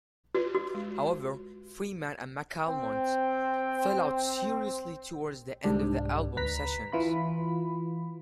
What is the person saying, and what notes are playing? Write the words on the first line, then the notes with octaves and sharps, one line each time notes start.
However, Freeman and McAlmont fell out seriously towards the end of the album sessions.
F4 F#4 B4
F#4
G#3
C4 G5
C2 G#2 G3 D4
D2 B4 A#5 B6
E3 F4 B5